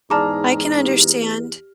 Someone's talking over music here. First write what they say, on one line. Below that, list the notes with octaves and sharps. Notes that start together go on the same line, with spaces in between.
I can understand.
E2 G#2 G#4 D5 A5 A#5 D6 F6
G4